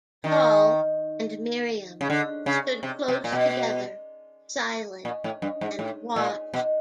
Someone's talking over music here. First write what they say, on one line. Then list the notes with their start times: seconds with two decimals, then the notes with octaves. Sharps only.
Paul and Miriam stood close together, silent, and watched.
0.24 D#3
2.01 C#3
2.10 D3
2.46 C#3
2.83 C3
3.08 C3
3.24 A#2
3.32 B2
5.05 A#2
5.24 A2
5.42 G2
5.61 G#2
5.79 A2
6.16 A#2
6.54 B2